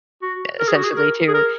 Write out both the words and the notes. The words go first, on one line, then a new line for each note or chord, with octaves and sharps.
essentially, to
F#4
A#4
G#4
F#4
G#4
A#4
G#4
A#4